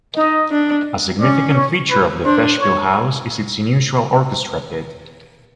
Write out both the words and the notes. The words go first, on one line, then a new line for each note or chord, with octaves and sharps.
A significant feature of the Festspielhaus is its unusual orchestra pit.
D#4 D#5
D4
C#4 D5
C#5
B4
D4 C5
C#5